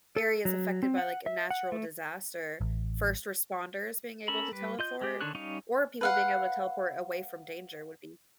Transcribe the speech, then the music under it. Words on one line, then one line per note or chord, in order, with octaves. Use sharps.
areas affected by, like, a natural disaster, first responders being able to teleport, or people being able to teleport away from danger would be
A4
F#3
C4
F#5
E5
F#5
A3
A1
C#4 A4 A#4 B5
G3 B4
F4 D#5 G6
G#3 G4
D3 D#3 D4 C#5 F#6
G3 C#4 D#4 C#5 F5
B4 F5 F#5